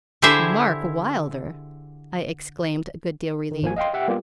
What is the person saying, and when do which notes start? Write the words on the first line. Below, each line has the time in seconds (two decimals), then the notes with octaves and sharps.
Mark Wylder,' I exclaimed, a good deal relieved.
0.22 D3 E4 G4 G#4 C5 E5
3.51 D3 D#3
3.62 G#1 F3 A#3 G#5
3.76 D#5 F5 G5 C6
3.94 G4 E5 F#5 G5
4.08 G3 A#3 B3 F4 G4